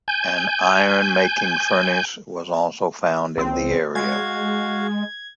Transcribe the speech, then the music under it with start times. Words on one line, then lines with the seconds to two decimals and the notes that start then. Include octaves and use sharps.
An iron making furnace was also found in the area.
0.08 G#5 G6
3.38 C#2 C4
3.95 G#3 F#4 F5 G#6